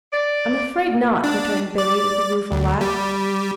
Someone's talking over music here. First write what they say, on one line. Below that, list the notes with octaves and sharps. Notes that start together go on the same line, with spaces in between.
"I'm afraid not," returned Billy, with a rueful laugh.
D5
D4
D5
D2
G3